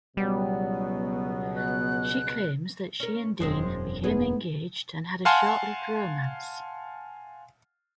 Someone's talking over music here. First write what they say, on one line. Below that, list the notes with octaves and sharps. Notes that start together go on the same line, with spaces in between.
She claims that she and Dean became engaged and had a short-lived romance.
C#2 B2 F#3 G3 B3
F#6
C#4 A#4
E1 F#2 F3 G#3 C4
G#2 B3 G#4
F5 F#5 G#5 A5 C6 F6